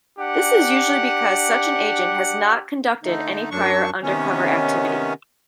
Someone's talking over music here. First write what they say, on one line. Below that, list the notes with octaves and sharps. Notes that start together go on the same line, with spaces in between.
This is usually because such an agent has not conducted any prior undercover activity.
D4 G4 F#5
D3 A3 D#4
F#2 F#3 D4 C#6
C3 D#3 B3 C#4